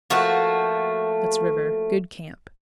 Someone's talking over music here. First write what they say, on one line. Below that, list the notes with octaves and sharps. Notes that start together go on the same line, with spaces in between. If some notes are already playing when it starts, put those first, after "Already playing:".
Soot's River.--Good camp.
F3 A3 A#3 F#4